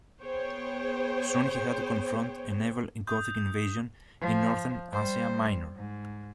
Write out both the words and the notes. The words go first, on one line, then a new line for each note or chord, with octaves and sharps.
Soon he had to confront a naval Gothic invasion in northern Asia Minor.
B3 G#4 C5 C#5 G5
D#6 G6
F3
G3 C5
G#2